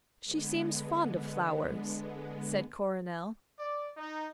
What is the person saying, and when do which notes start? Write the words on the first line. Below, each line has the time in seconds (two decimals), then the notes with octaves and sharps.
"She seems fond of flowers," said Coronel.
0.24 D3 G#3 B3
3.58 D5
3.97 D#4